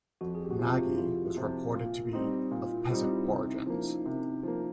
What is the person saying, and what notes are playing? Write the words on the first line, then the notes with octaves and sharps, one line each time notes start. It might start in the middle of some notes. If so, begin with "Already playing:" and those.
Nagy was reported to be of peasant origins.
F2 F#4
G#4
G4
F#4
C3 F3 F4
E4
F2 F4
C3 F3
A#2
G3 C4 D#4
A#2 F4
E4
G3 C4 D#4 F4
E4
C3 E4
E4
D#4
F3 A#3 C#4
D#4
C3
F3 A#3